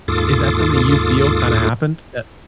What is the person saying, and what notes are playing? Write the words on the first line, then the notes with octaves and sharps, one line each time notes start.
Is that something you feel kinda happened? Eh
D#2 G#2 F4 A4 D6 D#6